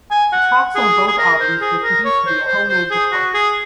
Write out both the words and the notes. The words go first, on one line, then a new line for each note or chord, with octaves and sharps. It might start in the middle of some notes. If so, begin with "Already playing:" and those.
The tracks on both albums were produced via homemade recordings.
G#5
F#5
G#4
G#4
A#4
C5
G#4
A#4
C#5
C5
C5
C5
G#4
F#4
G#4